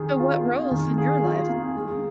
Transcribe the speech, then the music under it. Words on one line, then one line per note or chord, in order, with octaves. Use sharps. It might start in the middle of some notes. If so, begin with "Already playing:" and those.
so what roles in your life? Mhm.
Already playing: D#3 G#4
F4
A#3
D#3
G#4
F4
A#3
G#3